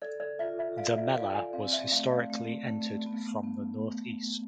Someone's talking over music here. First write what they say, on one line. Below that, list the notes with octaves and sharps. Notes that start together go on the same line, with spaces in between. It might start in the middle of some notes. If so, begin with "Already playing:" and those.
The Mellah was historically entered from the northeast.
A4 D5
D5
F4 E5
E5
D5 F5
E5
D5 F5
G#5
C4 F5
E5
A3 F5
F5
A3
A3
B3
B3